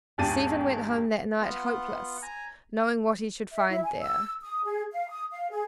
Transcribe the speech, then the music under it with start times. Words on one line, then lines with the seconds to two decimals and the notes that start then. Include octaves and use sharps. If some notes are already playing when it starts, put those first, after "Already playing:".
Stephen went home that night hopeless, knowing what he should find there.
0.18 G#1 E2 D4 G4 A6 D#7
1.40 B3 F4 F#5
2.22 G#5 A#5
3.52 E5
3.70 E4
3.83 G#5
4.01 E6
4.42 D#6
4.64 G#4
4.92 F5
5.09 D#6
5.31 F5
5.50 G#4